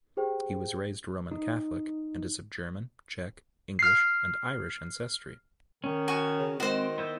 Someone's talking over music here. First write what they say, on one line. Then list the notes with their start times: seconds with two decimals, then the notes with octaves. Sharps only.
He was raised Roman Catholic, and is of German, Czech, English, and Irish ancestry.
0.17 G4 G#4 C5 G5
1.31 D#4
3.79 F6 C7
5.84 D#3 C#4
6.08 F#4 G#5 C#6
6.39 C#3
6.60 D#3 G#3 C4 F#4 C5
6.98 B3 E4 C5 G6